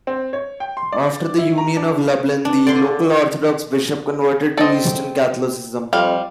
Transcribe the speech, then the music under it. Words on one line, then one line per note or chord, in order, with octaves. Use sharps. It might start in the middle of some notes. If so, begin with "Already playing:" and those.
After the Union of Lublin the local Orthodox bishop converted to Eastern Catholicism.
C4
C#5
G5
C6
D5
E4
A#5
D4
D4
D3 D5 C6
C4 A4 D5 D#5
F2 G3 F5